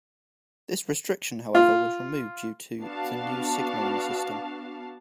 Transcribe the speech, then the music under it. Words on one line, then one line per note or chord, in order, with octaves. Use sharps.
This restriction however, was removed due to the new signalling system.
F4
B3 D4 F#4 F5 A5